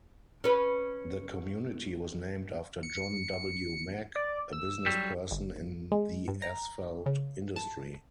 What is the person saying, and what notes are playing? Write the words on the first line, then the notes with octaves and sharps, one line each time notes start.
The community was named after John W. Mack, a businessperson in the asphalt industry.
C#4 B4
C#7
D5
E6
F#3 G3
G1
G#3
G2
A#5
C#3
A5